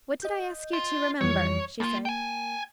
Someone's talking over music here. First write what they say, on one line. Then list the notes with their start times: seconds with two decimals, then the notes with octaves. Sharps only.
"What did I ask you to remember?" she said.
0.22 D#5 G6
0.73 F4
1.21 F2 E3 G3 C#5
1.80 D#2 A#3 F4
2.05 G5 G#5